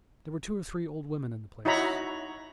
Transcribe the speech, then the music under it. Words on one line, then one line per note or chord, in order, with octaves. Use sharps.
There were two or three old women in the place.
D#4 E4 F#4 C#5 A#5 B5